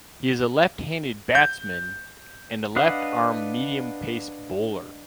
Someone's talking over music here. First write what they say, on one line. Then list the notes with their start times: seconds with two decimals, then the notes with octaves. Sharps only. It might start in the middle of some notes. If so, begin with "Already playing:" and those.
He is a left-handed batsman and a left-arm medium-pace bowler.
1.35 G6
2.76 D4 B4 D#5 F5 F#5